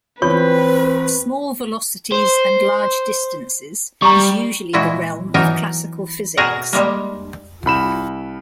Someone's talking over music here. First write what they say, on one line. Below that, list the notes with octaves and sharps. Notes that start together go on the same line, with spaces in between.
Small velocities and large distances is usually the realm of classical physics.
E2 C4 F4 B4 C#5 C#6
C5
G3 A#5 C#6
A#2 E3 G#3 E4 F#4
E3 F#3 B3 D#4 A#4 G#5
B2 F#4 G#4 A#4 F#5
G3 G#3 A#3
C2 B5 E7